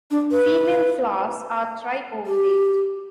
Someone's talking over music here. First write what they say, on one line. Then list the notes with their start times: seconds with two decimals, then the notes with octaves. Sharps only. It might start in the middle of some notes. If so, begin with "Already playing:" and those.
Female flowers are tri-ovulate.
0.11 D4
0.31 B4
2.26 G4